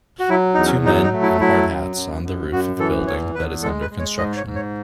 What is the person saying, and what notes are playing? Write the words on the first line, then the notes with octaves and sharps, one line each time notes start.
Two men in hard hats on the roof of a building that is under construction.
F#4
F#3 E4
E2 D#4
C#4
F#3 D#4
D#4
A3
E4
F#3 E4
F#2
F#2
F#2
F#2 F#4
E3 A4
E2 C#5
E2 B4
G#3 A4
B4
G#3
C#5
G#2 D#5
C#5
G#2
C#5